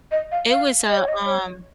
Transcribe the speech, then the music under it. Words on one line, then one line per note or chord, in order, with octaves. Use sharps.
it was a, um
D#5
F5
F5
D#5
C#5
D#5
C#5